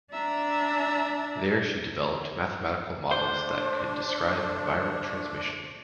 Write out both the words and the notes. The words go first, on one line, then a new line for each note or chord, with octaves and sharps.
There she developed mathematical models that could describe viral transmission.
D4 E5 A#5
A3 D4 C5